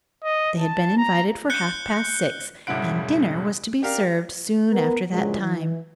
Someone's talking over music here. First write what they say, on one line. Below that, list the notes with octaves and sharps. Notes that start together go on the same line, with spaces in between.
They had been invited for half-past six, and dinner was to be served soon after that time.
D#5
A5
A#5
F#6 G6 C#7 G7
E1 G2 C#3 E4 F#5 D7
D4 G4 A#4 F5
B3 A#4
G2 A#2 C#3 F3 F#3 G#3
E3